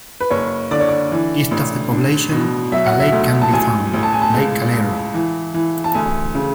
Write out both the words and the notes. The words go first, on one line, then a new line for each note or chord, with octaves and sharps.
East of the poblacion a lake can be found, Lake Calero.
B4
F#1 C#5
D3 D5
C#5
D5
E3
A1
D4
B2
F#3 E5
F#5
E5
D2
A5
A1 G#5
A1
A5
G#5
A5
C#2
C#2
E3
E3
A5
D2 G#5
C#3